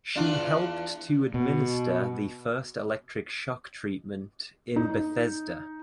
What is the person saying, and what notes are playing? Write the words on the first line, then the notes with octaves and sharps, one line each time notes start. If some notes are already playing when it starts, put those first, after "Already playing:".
She helped to administer the first electric shock treatment in Bethesda.
E2 D4 F4
B2
D#4